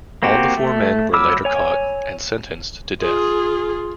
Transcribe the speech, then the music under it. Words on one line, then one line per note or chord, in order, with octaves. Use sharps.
All the four men were later caught and sentenced to death.
A#3 C4 F#4 G4
A3
F#3 B5 D6 E6 F6
C#5 G#5
F4 G#4